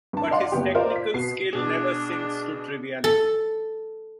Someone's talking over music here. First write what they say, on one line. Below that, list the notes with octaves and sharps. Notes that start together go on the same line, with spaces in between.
But his technical skill never sinks to triviality.
G2 A5
D5 D#5 F5 F#5 C6
F#1 B3 G4
F4 A#4 C5 D5 D#5
B6
B2 F#4 C7
B2 D4 G#4
A4